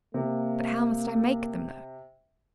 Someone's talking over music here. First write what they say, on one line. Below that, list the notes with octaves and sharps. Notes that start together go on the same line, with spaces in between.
'But how must I make them know?
C3 A#3